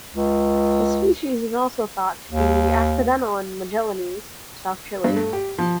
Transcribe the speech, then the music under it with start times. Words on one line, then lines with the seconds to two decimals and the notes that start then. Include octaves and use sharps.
The species is also thought to be accidental in Magallanes, south Chile.
0.14 C#2
2.31 D#2
5.04 G2
5.16 A3
5.33 G4
5.58 F3